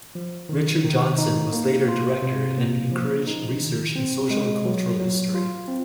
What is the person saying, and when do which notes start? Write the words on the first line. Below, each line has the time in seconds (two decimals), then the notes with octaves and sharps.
Richard Johnson was later director and encouraged research in social and cultural history.
0.15 F3
0.49 D#3
0.84 D#3
1.18 D#4
1.53 A#3
1.88 F4
2.22 C3
2.58 A#3
2.92 F3
3.27 D#4
3.61 D#3
3.96 C4
4.30 G#3
4.65 F#3
5.00 F#3
5.35 F4
5.68 C4